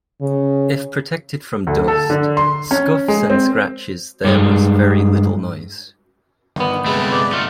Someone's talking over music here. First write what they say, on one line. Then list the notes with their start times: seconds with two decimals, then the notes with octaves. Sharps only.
If protected from dust, scuffs and scratches there was very little noise.
0.21 C#3
1.67 D2
1.88 A4
2.10 D3
2.37 C6
2.71 C#4
3.08 G#3
3.30 C4
4.25 G2 G#3
6.56 G1 D#3 B3
6.86 C3 G#3 A3 G#4 B4 B5
7.12 D5
7.33 A3 D#4 F4